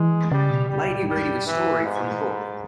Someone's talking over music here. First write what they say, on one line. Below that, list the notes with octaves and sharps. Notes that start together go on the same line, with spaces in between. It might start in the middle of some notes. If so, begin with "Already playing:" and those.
Lady reading a story from a book.
Already playing: E3 G#3
C#3 G3
B2
C#3 G3
B2
A#2
G2 G3
E3
G#2